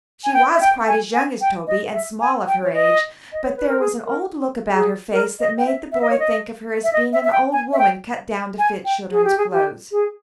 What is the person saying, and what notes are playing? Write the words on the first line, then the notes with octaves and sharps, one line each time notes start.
She was quite as young as Toby, and small of her age; but there was an old look about her face that made the boy think of her as being an old woman cut down to fit children's clothes.
G#5
G5
E5
G5
G#5
G#5
G5
D#5
E5
G#5
G5
C#5
D#5
D#5
C#5
B4
A#4
G#4
A#4
G#4
A#4
D#5
G5
E5
E5
D#5
C#5
D#5
E5
D#5
E5
E5
G5
G#5
E5
G5
G#5
G5
G#4
G4
G#4
G4
G#4